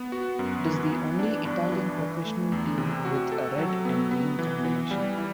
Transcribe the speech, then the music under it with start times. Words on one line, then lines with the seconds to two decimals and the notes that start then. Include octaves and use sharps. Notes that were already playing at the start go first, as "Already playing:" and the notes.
It is the only Italian professional team with a red and green combination.
Already playing: B3
0.12 F#4
0.39 F#2
0.65 E3
0.92 B3
1.19 D4
1.45 G2
1.72 E3
1.98 E3
2.25 A3
2.52 E2
2.78 C3
3.05 F#4
3.32 A4
3.58 F#3
3.85 B3
4.11 B3
4.39 E3
4.65 E3
4.91 G3
5.18 E4